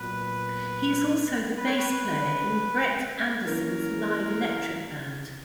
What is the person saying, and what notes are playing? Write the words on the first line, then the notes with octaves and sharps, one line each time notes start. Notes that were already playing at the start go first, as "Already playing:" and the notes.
He is also the bass player in Brett Anderson's live electric band.
Already playing: A#2 F#3 B3 B4
B4
C#5
B4
E3 A#3 C#4 A#4